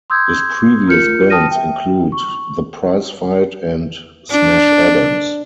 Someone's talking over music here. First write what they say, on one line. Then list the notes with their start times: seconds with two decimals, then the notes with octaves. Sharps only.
His previous bands include The Prize Fight and Smash Adams.
0.10 C6 D#6 E6 G6 G#6
0.87 F4 A#4 F6 G6 C#7
1.30 G5 A5 D#6 F6 A#6 D#7
1.51 E5 G5
2.12 C#6
4.31 D4